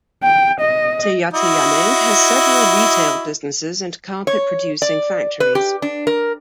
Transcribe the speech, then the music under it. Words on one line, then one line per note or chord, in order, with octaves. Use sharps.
Teyateyaneng has several retail businesses and carpet-producing factories.
G5
D#5
E4 F#4 D#5
C#5
D5
B4
G4
D4
A#4